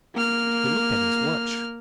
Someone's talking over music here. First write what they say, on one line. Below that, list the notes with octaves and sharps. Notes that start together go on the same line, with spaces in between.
He looked at his watch.
A#3 F6